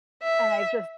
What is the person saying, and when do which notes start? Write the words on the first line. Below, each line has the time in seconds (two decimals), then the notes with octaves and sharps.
and I've just
0.22 E5